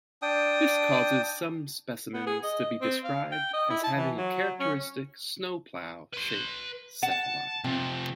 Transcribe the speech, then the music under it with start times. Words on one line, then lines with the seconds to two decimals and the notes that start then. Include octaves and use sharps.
This causes some specimens to be described as having a characteristic "snowplow" shaped cephalon.
0.22 D4 G5 D#6
2.14 B3
2.27 G#4
2.44 D#5
2.81 C4
3.04 F5
3.32 G5
3.53 D#5
3.70 E4
3.84 A5
3.96 E3
4.17 F#3
4.60 C#4
6.13 B4 C6
7.03 F#5 A5
7.64 C3 F3 C4